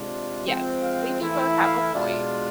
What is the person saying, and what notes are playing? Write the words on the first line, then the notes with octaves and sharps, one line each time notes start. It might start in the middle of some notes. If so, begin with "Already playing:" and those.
Yes, they do both have a point.
Already playing: C3 G#3 D4 F4
F3 G#3 C4
F5
E3 A3 E4
F5
B2 G#3 D4 F4